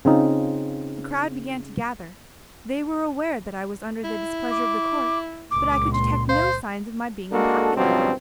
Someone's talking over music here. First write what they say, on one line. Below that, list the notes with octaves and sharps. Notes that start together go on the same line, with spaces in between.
The crowd began to gather; they were aware that I was under the displeasure of the court, but I could detect no signs of my being unpopular.
C#3 C4 D#4 F4
E4
D6
C#2 A#2 D6
C6
C5 F5
G#3 A#3 D4 F#4 A4
C#2 G2 B2 F3 F#3 C4